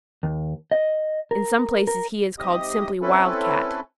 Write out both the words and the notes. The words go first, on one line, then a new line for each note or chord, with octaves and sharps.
In some places he is called simply Wild Cat.
D#2
D#5
A#4
A#4
G#2 C3 G4 D#5 D#6
C4 C#4 E4 A4 B4